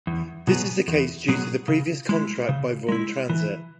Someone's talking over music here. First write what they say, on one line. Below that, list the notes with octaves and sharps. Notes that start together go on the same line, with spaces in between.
This is the case due to previous contract by Vaughan Transit.
E2
B2 F#3 B3 G#4
E2
B2 F#3 B3 G#4
C#3
G#3 E4
C#3
G#3 E4
E3